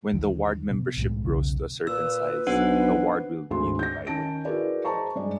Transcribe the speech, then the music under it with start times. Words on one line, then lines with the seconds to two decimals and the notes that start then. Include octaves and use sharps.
When the ward membership grows to a certain size, the ward will be divided.
0.13 D#2 D3 E3
0.71 B2
0.97 C2 A2 G#3
1.25 B1 E2 C#3
1.87 A#2 B4 E6
2.47 B1 D4 C5 F#5
3.50 G#1 D2 G#3 C6
3.79 G6 A#6
4.07 D#3 C#4 A5 A#6 D7
4.45 E4 F#4 G#4 A#4 B4 D5
4.85 G#4 C5 D#5 A5 A#5 C#6
5.16 G2 G#3 D5